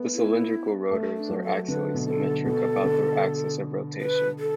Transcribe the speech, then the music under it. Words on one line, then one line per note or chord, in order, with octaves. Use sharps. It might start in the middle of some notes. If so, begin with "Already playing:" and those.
The cylindrical rotors are axially symmetric about the axis of rotation.
Already playing: A3 B3
E4
A3
D4
F#3
A4
D3 B4
B2
A4
D3
B2 A4
D3
B4
A4